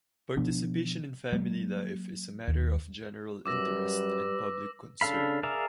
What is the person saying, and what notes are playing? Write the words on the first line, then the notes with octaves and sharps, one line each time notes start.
Participation in family life is a matter of general interest and public concern.
B2 F3 B3 D4
F#3 G#3 A#3
D#2
F#2 G3 B4 D6 E6 A#6
C#3 D4 A4 F5 B5
G#4 A#4 D5 E5 F5